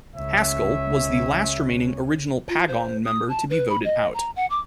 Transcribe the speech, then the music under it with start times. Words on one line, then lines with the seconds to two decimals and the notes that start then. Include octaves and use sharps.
Haskell was the last remaining original Pagong member to be voted out.
0.16 C#2 C#4 E5
2.49 F4
2.68 C5
3.05 D#6
3.29 A5
3.50 B4
3.69 B5
3.84 D#5
4.14 A#5
4.36 F#5
4.50 D6